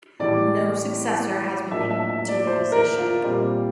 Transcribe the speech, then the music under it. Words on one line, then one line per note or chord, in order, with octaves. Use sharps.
No successor has been named to the position.
A2 E3 G3 D5
A2 F3 A#3 D4 E5
E5
E5
D5
C5
A#4
F4
A#2 G3 C4